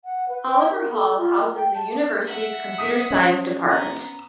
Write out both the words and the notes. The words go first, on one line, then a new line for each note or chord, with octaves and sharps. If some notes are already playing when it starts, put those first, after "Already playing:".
Oliver Hall houses the University's Computer Science Department.
F#5
B4
G5
A#4
A4
F4
A#3
G5
A5
E5 F#5
D#6 B6
C#4
B3 A#5